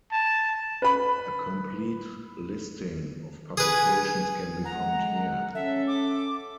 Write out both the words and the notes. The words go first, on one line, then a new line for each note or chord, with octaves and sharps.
A complete listing of publications can be found here.
A5
B4 B5
G#4 B4 G#5
G#3 F#5 A#5
C#4 A4 E5
D6